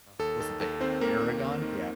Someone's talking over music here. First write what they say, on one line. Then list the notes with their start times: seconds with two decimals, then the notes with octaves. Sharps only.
Oh, was it the E Eragon? Yeah.
0.19 D#2 A4
0.40 D#3 A4
0.60 D#2 A4
0.80 D#3 C4 C5
1.01 D#2 A#3 A#4
1.21 D#3
1.42 D#2
1.62 D#3